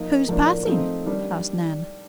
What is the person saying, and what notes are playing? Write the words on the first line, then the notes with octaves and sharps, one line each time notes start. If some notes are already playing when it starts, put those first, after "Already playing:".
"Who is passing?" asked Nan.
Already playing: F3 A#3 D#4
A2 F3 A#3 D4
F3 A3 C4 D#4
D#3 G3 D4